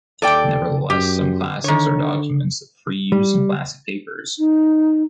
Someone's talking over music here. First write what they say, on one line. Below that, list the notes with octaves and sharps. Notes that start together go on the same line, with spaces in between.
Nevertheless, some “classics” are documents of free use in Classic papers.
D#2 A4 D5 G5
F#2 G4
D3 D#3 C#5
G3
D#4